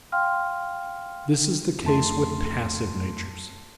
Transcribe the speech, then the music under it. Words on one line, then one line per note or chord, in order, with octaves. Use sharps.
This is the case with passive natures.
F5 G5 C6 F6
F2 A3 A5 C6